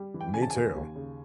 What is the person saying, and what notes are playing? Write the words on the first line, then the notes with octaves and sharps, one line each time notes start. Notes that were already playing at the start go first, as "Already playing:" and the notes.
me too.
Already playing: G3
E3
G5
C#3 G#5
A5
D#2 G#5
D#2
C#3